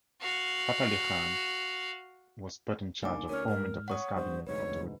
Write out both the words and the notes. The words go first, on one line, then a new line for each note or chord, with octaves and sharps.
Fatali Khan was put in charge of forming the first cabinet of the republic.
F#4 F5
C2 A#3 D4 D#4 G#5 D6
D2 C#4 A#4 C#5 F6
G#2 A#4 F6
C#5 F#5 C#6 D#6
G2 C5
F1 D2 G#2 B4 C#5